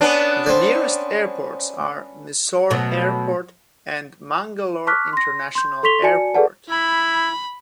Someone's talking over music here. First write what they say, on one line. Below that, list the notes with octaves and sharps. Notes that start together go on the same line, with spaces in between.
The nearest airports are Mysore Airport and Mangalore International Airport.
B3 C#4 D4
C4 D5
B2 F#3 A3
A5 C#6 D6 F6 F#6 B6
C6 A#6
C6 G6
A4 C6 C#6 B6 F7 G7
F#4 D5 G#5 A5 C#7
G#4 A4 B4 D5 F#5 A5
E4 B5